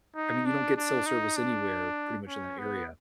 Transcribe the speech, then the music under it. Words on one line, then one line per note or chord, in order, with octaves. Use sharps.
I mean, you don't get cell service anywhere pretty much in that area.
D#4
D4
D4
D#4
D4
C#4
B3